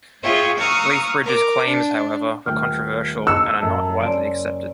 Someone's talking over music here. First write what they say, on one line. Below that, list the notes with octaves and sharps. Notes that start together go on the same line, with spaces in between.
Lethbridge's claims, however, were controversial and are not widely accepted.
F4 G#4 C#5 E5 G5
F5 A#5 C#6 D#6 E6 F#6
A#4 D6
D4
D#1 A3 G5 F6
D#5 A5 E6 C#7
F#2 A4
F#1 C#4 D5 C6 D7